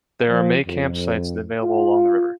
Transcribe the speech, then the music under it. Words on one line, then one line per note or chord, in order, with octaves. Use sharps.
There are may camp sites available along the river.
F3
F2
F4